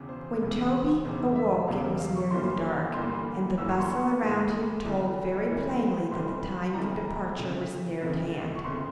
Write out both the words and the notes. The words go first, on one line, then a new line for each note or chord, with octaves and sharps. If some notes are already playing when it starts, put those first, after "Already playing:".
When Toby awoke it was nearly dark, and the bustle around him told very plainly that the time for departure was near at hand.
Already playing: E1 E2 C#3
C5
E1 E2 C#3
E1 E2 C#3 C5
E5
E1 E2 C#3 F5
A#4
F5
C#6
G1 G2 E3 G3 A#3 C6
G1 G2 E3 G3 A#3 C6
G1 G2 E3 G3 A#3 E6
C#6
C6
C#6
G1 G2 E3 G3 A#3
G1 F2 C3 E3 G3
G1 F2 C3 E3 G3
G1 F2 C3 E3 G3 C6
G1 F2 C3 E3 G3 A#5
G1 F2 C#3 F3
G1 F2 C#3 F3
C#6
G1 F2 C#3 F3 C6